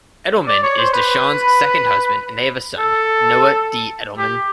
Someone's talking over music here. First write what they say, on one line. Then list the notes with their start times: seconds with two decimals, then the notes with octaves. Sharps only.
Edelman is DeShannon's second husband and they have a son, Noah D. Edelman.
0.47 D5
0.63 C#5
0.78 C5
0.93 B4
2.78 A4
4.18 G4